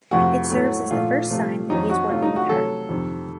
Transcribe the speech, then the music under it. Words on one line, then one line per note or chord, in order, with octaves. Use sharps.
It serves as the first sign that he is working with her.
F2 C3 F3 A3 F#4
A2 F#3 A3
A#2 F3 A3 F4
C3 F3 A3
F2 D#3 F#3 D#4
F#4
C3 D#3 F#3 A3 F4
D#4
F#4
C3 F#3 A3 A4
F2 C3 D#3